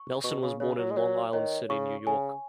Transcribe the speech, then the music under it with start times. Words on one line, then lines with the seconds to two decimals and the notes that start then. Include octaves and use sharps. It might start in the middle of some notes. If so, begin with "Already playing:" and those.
Nelson was born in Long Island City, New York.
Already playing: C#6
0.24 B2 C#6
0.42 C#3
0.60 C#3 C#5
0.78 F#3
0.91 G#3
0.97 F#3 C#5
1.33 D#3 C#5
1.70 C#3 C#6
2.06 C#3 G#5